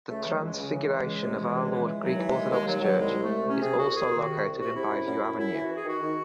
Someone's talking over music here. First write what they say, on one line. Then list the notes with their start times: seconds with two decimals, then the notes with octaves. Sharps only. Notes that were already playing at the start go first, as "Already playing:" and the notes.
The Transfiguration of Our Lord Greek Orthodox Church is also located in Bayview Avenue.
0.09 C#2 A3
0.25 E3 F#3
0.42 C#2 G#3
0.58 C#3
0.73 E3
0.82 G#3
0.90 E3
1.05 C#2
1.22 C3
1.38 E3
1.54 C#2
1.70 E3
1.85 E3
2.01 D#2 F#3
2.18 E3
2.26 G#3
2.33 D#2
2.50 D#2 G#3
2.65 D#2 F#3
2.82 D#2 F#3
2.97 C2 G#3
3.14 C2
3.21 A3
3.29 C2
3.45 C3 C#4
3.61 C3 G#4
3.77 C2 F#4
3.93 C2 G#4
4.10 D#3
4.17 F#4
4.26 C3
4.42 C2
4.57 C3 F#4
4.73 C3 E4
4.90 F#2
5.06 F#2
5.21 F#2
5.37 F#2 E4
5.54 E3
5.61 F#4
5.69 E3
5.75 G#4
5.85 D#3 F#4
6.01 D#3